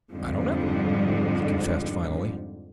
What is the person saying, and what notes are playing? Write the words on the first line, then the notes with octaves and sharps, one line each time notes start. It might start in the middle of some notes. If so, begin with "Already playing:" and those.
"I don't know," he confessed finally.
F2 G#2 D3 F3 G3